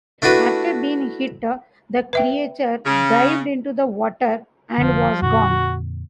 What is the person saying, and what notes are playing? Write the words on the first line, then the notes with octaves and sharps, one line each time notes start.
After being hit, the creature dived into the water and was gone.
A3 D4 E4 F#4 B4
B4 E5 G5
C#3
F1 D3 F3
F2 A#2 D3 F#4